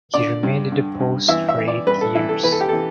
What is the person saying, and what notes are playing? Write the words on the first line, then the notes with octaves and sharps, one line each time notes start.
He remained in the post for eight years.
D3 D5
G2
D3
G2
E3 E5
E5
E3
D5
G2 B4
A4
E3 E4
A4
E3 B4
A4
G4
E3 A4